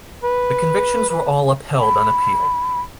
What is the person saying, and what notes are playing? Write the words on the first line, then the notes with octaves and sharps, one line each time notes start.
The convictions were all upheld on appeal.
B4
B4
B5